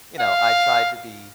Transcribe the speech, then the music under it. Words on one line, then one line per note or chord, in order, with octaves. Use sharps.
you know, I tried to be
F5